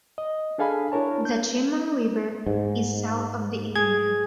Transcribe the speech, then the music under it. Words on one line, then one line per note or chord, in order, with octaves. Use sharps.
The Chemung River is south of the area.
D#5
D4 G#4 A4 F5 G#5 B5
D4 E4 A#4 C#5 A5
G6
G#2
G#4 G#6